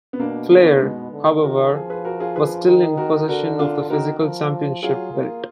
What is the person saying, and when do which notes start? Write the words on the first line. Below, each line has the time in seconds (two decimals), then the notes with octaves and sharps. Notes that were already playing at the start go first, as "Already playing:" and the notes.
Flair, however, was still in possession of the physical championship belt.
0.13 B3
0.20 B2 A#3 D4
0.50 D3 B3 D#4
0.66 B3 D#4
0.81 B2 G#3 B3
1.12 D3
1.43 D#3 F#4 A#4
1.74 F3 F4 G#4
1.90 G#4 B4
2.05 F#4 A#4
2.20 F4 G#4
2.36 G#4 B4
2.67 D#3
2.97 F#4 A#4
3.28 D3 F#4 A#4
3.59 D4 F4
3.90 D#3 F#4 A#4
4.21 F3
4.83 F#3 F4 G#4
5.13 A#3